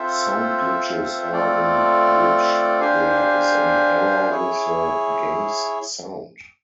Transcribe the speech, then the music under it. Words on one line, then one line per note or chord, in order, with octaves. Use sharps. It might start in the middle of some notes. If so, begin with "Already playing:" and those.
Sound glitches are in which there is an error with the game's sound.
Already playing: C4 F4 A4 C5 E5
A3 C4 F4 A4 D5
D4 G4 C5 F5 G#5
E4 G#4 C#5